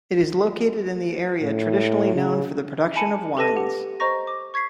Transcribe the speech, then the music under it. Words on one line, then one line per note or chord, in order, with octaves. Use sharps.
It is located in an area traditionally known for the production of wines.
A2
C#3
G#5 A5 B5 C#7 D#7
G4 A4 B4 A5 A#6 D#7
G4 F#5
C5 D#5 A#5 C#6 A#6
D6
C#6 G#6 B6 C7